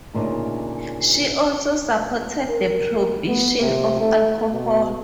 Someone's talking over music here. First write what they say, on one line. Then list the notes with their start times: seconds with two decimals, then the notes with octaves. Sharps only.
She also supported the prohibition of alcohol.
0.13 D2 A#2 C#3 D4 D#4
2.49 A#4
3.27 B3
3.61 C3
4.00 A3
4.52 B2